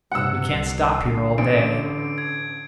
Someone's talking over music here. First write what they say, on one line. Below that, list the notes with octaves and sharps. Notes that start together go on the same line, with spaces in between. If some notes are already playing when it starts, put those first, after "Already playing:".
We can't stop here all day.
G2 C3 F#5 E6
C2 C7
D3
A1 D3 D7
G#6